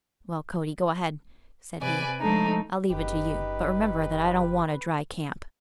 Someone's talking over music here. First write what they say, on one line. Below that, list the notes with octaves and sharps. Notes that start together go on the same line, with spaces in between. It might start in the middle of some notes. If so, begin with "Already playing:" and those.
"Well, Cody, go ahead," said he; "I'll leave it to you; but remember that I don't want a dry camp."
C3 B4 D5 G#5
F3 G#3 A3 D4 D#4
F#1 D#4 G4 B4